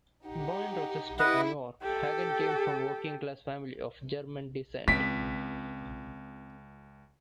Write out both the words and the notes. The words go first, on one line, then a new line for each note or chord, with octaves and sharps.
Born in Rochester, New York, Hagen came from a working-class family of German descent.
D#4 G4 F#5
E4 G4 B4 D#5 F#5
G4 A4
C#2 C4 B6 D7